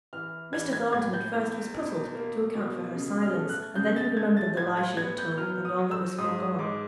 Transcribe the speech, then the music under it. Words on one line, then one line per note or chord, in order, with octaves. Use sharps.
Mr. Thornton at first was puzzled to account for her silence; and then he remembered the lie she had told, and all that was foregone.
E3 F6
E3 G#6
G#6
A2 G#6
G6
E2
B2
A#3
B2
C#3
F6
A3
F#6
C#3 G6
A6
A3 G#6
A6
A2 G#6
G#6
B3 G#6
G6
F#3 F6
D#6
F#3
E6
G#2 D#6
D#6
G#2 D6